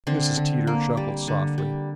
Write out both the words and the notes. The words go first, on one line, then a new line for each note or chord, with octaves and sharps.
Mrs. Teeter chuckled softly.
D3 C4
D3
A#3
G3
D3
G3